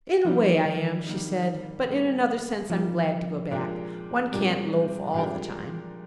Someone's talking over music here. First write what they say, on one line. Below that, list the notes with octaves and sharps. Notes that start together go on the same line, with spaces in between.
"In a way I am," she said, "but in another sense I'm glad to go back. One can't loaf all the time."
F3 G3 A#3 D#4
D#3
G3 A#3 D#4
G3 A#3 D#4
F3 G3 A#3 D#4
A#2 G#3 D4 G4 A#4
A#2 G3 G#3 D4 G4 A#4
A#2 G#3 D4 G4 A#4